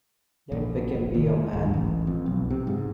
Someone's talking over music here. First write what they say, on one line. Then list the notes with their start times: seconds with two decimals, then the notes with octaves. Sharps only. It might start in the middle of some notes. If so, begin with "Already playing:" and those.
Let Wickham be your man.
0.52 A#1
0.95 F1
1.14 D#2
1.53 D1
1.74 A1
2.07 F2
2.26 B1
2.51 C3
2.67 G#2